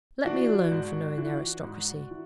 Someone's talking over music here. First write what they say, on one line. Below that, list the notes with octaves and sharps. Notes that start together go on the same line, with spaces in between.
Let me alone for knowing the aristocracy.
E3 D4 F#4
G#2
E3
G#2
E3